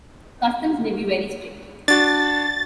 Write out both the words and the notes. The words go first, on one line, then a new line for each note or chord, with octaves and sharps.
Customs may be very strict.
D4 F#4 A6